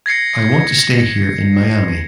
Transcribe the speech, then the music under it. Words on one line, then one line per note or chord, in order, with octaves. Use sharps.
I want to stay here in Miami.
G#6 A#6 C7 C#7